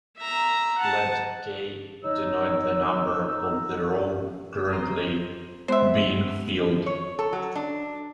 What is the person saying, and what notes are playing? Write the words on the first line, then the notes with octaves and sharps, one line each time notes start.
Let "k" denote the number of the row currently being filled.
E5 A#5
F#5 A5
D#4 C#5 E6
C5 A#5 C6
G#3 B3 C4 C5 E5
C#5
A4
F#3
D4